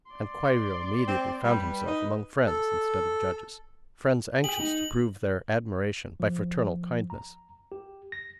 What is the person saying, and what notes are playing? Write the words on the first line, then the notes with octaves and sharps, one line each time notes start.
And Kwairyo immediately found himself among friends instead of judges,--friends anxious to prove their admiration by fraternal kindness.
D5 C6
C4
G3 B4
D#4
A4
G4 G#4 F#7
D#4
F3
A#5
G4
A#6